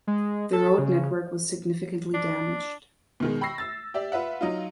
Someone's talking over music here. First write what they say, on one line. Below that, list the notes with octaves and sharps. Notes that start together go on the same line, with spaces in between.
The road network was significantly damaged.
G#3
A4
C#3
D4
B2 D#3 G#3
G5 B5 C#6 E6 A#6 C7
E6 A6
G4 D5 E5
F4 B4 E5 F#5
F#3 D#4 F4